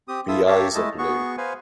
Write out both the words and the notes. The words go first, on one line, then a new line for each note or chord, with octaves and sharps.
The eyes are blue.
C4 G4 D#6
E4 F4 A4 E5 D#6 E6
G4 A#4 C#5 E5 F5 A5
G#3 A3 E4 D#5 A5
B3 F#4 G#4 C#6
B4 C5 F5 G#5